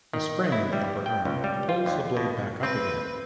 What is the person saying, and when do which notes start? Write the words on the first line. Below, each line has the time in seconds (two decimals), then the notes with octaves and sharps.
A spring in the upper arm pulls the blade back up again.
0.13 D#3
0.52 E4
0.73 G3
1.06 G5
1.25 C#2
1.44 G3
1.69 F4
1.86 D#2
2.17 B2
2.63 C4 B4